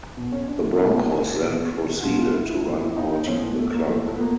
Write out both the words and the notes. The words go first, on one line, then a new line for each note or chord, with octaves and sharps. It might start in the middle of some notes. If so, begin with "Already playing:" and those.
The Broncos then proceeded to run out the clock.
B2
C#4
D4
E4
B2
B2
F#4
B2 F4
F4
E4
E4
A2 F3 E4
E4
D#4
D#4
A2 F3 C#4
B3
A3
A#3
A2 F3 A3
A3
B3
A#3